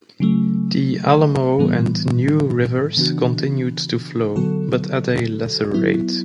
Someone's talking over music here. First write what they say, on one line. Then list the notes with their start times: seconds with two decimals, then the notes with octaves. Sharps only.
The Alamo and New Rivers continued to flow, but at a lesser rate.
0.20 C#3 F#3 A3
1.58 A2 E3 G3 B3
2.97 C#3 E3 B3 D4 F#4
4.36 D3 F#3 B3 F#4 A4
5.74 F#3 B3 E4